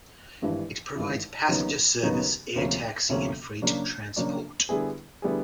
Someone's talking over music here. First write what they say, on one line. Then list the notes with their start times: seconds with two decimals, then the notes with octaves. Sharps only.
It provides passenger service, air taxi, and freight transport.
0.42 G#1 G2 E3
0.95 G#1 G2 E3
1.48 D#2 C#3 F#3 B3 D#4
2.03 D#2 C#3 F#3 B3 D#4
2.55 D2 C3 F3 A#3 C#4
3.09 D2 C3 F3 A#3 C#4
3.62 C#3 F#3 A#3 D4
4.16 C#3 F#3 A#3 D4
4.69 D3 G3 B3 E4 G#4
5.22 D3 G3 B3 E4 G#4